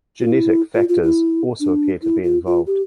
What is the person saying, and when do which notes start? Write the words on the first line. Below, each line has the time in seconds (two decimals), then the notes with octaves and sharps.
Genetic factors also appear to be involved.
0.20 F4
0.31 E4
0.75 F4
0.89 F4
1.03 E4
1.60 D4
2.03 E4
2.24 F4
2.46 F4
2.67 G4